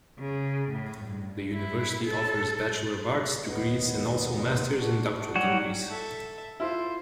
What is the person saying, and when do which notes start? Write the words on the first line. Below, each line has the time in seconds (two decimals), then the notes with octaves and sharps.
The university offers Bachelor of Arts degrees and also Master's and Doctorate Degrees.
0.19 C#3
0.72 A2
1.06 G2
1.53 E4
2.05 A4
3.43 D#2 B3 D#5
4.75 D4 F#4
5.36 F#3 G3 F#4 G#5
5.89 A4 E5
6.60 E4 F4 C5